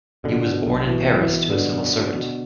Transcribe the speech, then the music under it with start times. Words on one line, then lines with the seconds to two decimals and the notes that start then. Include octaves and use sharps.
He was born in Paris to a civil servant.
0.24 B2 D3
0.46 B2
0.66 B1
0.87 B2 E3
1.08 B1
1.19 E3
1.29 B2
1.50 B2 D3
1.71 B2
1.93 B2
2.13 B2